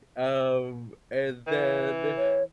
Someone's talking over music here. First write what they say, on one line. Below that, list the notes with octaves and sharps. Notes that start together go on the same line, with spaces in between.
Um, and then
E3
C#5